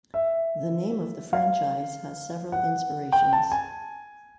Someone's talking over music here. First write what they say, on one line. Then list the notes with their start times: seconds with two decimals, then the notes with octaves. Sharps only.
The name of the franchise has several inspirations.
0.14 E5
1.33 F5
2.52 F#5
3.12 G5
3.33 A5
3.52 G#5